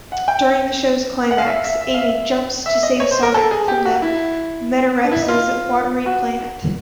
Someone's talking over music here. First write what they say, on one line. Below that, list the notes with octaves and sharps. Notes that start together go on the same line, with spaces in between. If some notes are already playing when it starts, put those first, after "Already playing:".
During the show's climax, Amy jumps to save Sonic from the Metarex's watery planet.
F#5
G5
F#5
F5
E5
F5
E5
E5
F5
E5
E5
D#5
C#5
C5
A#4
A4
G#4
G4
F#4
E4
D4
E4
D#4
F4
F#4